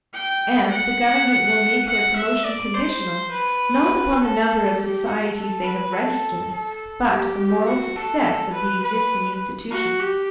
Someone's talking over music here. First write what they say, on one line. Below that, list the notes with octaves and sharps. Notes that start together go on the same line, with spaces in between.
And the Government will make their promotion conditional, not upon the number of societies they have registered, but the moral success of the existing institutions.
G5
F#5
F#5
E5
D5
C5
B4
A4
G4
F#4
A4
B4
A4
A4
G4
G4
F#4
A4
B4
B4
F#4
G4